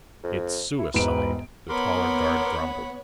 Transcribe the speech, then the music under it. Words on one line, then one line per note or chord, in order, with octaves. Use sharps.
"It's suicide," the taller guard grumbled.
F2
E4
E1 G#2 B4 D7
B3 A#4 C#5 F#5 B5 C6 D6